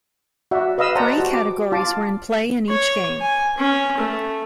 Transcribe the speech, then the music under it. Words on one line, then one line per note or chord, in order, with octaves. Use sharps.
Three categories were in play in each game.
F#4 D5 E5 F#5
B4 D#5 F5 B5 E6
C5 D5 F#5 A5 A#5
F#4 G4
D6
F4 A5 D6
C#5
G#5
C#4
A3